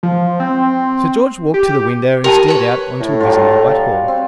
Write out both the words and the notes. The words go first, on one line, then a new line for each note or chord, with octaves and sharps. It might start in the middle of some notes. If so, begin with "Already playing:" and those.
Sir George walked to the window and stared out on to busy Whitehall.
F3
C4
G4
G4 A#4 G5 A5
B4 C#5
A2
F#3 G3 F4
C4